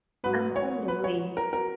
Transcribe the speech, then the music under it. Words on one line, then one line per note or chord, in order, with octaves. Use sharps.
I'm on the way.
G#2 F#3 B4
C#5
B4
C#5
A#4
F#3 A#4